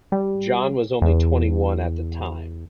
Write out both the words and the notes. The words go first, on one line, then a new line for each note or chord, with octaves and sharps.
John was only twenty-one at the time.
G3
E2